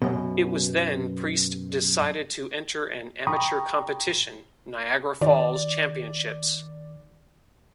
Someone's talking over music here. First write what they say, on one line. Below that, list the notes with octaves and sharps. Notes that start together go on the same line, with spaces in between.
It was then Priest decided to enter an amateur competition, Niagara Falls Championships.
F#2 B2
G5 A#5 B5 C#6 D#6
D#3 D5